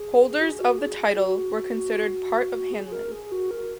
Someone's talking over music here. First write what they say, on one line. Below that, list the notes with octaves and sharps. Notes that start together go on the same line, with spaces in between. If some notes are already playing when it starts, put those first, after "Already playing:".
Holders of the title were considered part of Hanlin.
Already playing: G#4
F#4
G#4
F#4
G#4
F#4
G#4
G#4
A#4
G#4
F#4
A#4